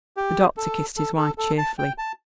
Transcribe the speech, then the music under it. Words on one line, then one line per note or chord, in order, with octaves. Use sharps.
The doctor kissed his wife cheerfully.
G4
A4
A4
A4
A4
A5
G5
A5